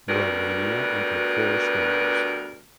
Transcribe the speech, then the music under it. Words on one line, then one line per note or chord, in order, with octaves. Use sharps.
Romania entered four swimmers.
D2 B2 G3 A#4 B4